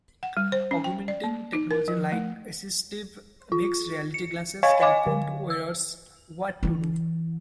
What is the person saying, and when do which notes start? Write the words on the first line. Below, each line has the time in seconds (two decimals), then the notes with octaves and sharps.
Augmenting technology like assistive mixed reality glasses can prompt wearers what to do.
0.23 F#5
0.37 G3
0.52 C5
0.71 C#4
0.84 G5
1.08 D5
1.24 A#3
1.53 D#4
1.71 A#4
1.88 F3
2.12 A3
3.52 F4
4.14 C#7
4.63 C#5 D#5 F5 G#5 C#6 G#6
4.80 C#5 D#5 F5 G#5 D6
5.07 D3
5.50 E6
6.63 E3 E4